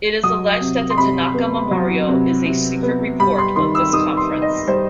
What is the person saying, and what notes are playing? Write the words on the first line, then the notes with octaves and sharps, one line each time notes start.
It is alleged that the Tanaka Memorial is a secret report of this Conference.
F#3 D#6
C3
C6
C3 B5
B3
F#3
C3
C3
B3
G3 B5
C6
D#3 C6
E6
D#3 D#6
C6
D#4
D#5
G3 C5